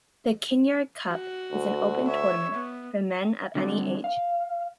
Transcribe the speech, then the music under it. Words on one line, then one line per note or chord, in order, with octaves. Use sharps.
The Kinnaird Cup is an open tournament for men of any age.
F#4
D2
C#5 E5
B3
D3 F#3 G3 C4 D4 D5
F5